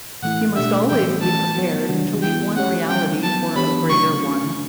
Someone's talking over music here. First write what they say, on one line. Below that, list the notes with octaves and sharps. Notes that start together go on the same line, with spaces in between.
You must always be prepared to leave one reality for a greater one.
A2 E3 A3 E4 F#5
B2 A3 D4 G4 E5
A2 E3 G3 B3 G5
E3 A3 C#4 F#4 A5
F#3 B3 F#4 C#5
C#3 E3 G3 D4 F#4
E3 B3 E4 G5
A3 C#4 G4 C#5 F#5
E3 G3 C#4 G5
F#3 B3 F#4 A5
E3 B3 D4 G4 C#5 B5
C#3 F#3 A3 D4 F#4 C#6